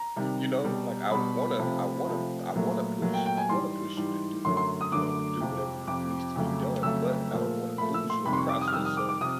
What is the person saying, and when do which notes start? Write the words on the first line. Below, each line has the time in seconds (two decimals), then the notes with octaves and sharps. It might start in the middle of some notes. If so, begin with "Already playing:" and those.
you you know, like I wanna I wanna I wanna push I wanna push you to do, you know, do whatever n needs to be done, but I don't wanna lose you in the process, so,
Already playing: A#5
0.16 C3 D#3 G3
0.64 B2 G3
1.11 B2 G3 B5
1.59 C3 F3 A3
2.07 C3 F3 A3
2.55 A#2 F#3 A3
3.02 A#2 F#3 A3
3.14 G5
3.26 G5
3.37 G#5
3.49 G#2 E3 G3 C6
3.97 G#2 E3 G3
4.45 F#2 D3 F#3 A3 C6
4.57 C6
4.81 D#6
4.92 F#2 D3 F#3 A3 D6
5.40 F2 C3 F3
5.87 F2 C3 F3 D6
6.36 F2 C#3 F#3 A3
6.83 F2 C#3 F#3 A3 E6
7.31 A#2 F3 A3
7.78 A#2 F3 A3 B5
7.94 E6
8.10 C6
8.25 F2 C3 D#3 G3 B5
8.33 C6
8.37 C#6
8.49 D6
8.61 D#6
8.68 F6
8.73 F2 C3 D#3 G3 E6
8.85 D#6
8.97 D6
9.09 D6
9.21 C3 F3 D#6